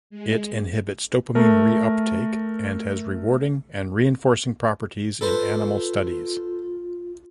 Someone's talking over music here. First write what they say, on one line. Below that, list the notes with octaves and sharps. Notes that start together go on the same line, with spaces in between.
It inhibits dopamine reuptake and has rewarding and reinforcing properties in animal studies.
G#3
A3 A#4
F4 A4 B4 C5